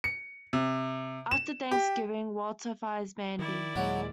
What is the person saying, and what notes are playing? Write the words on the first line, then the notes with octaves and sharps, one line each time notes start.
After thanksgiving Walter fires Mandy.
C#7
C3
E7
G4
D#3 E4 D5
D#2 A#2 F#3 G#3